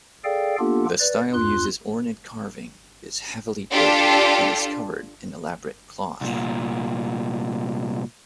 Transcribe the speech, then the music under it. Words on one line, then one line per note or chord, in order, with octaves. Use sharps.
The style uses ornate carving, is heavily gilded, and is covered in elaborate cloth.
G#4 A4 D5 F5 G5
A#3 B3 D4 F4 G4 A4
B4 D5
E2 G2 F4 C6 F#6
D4 F4 G4 A4
C2 A#2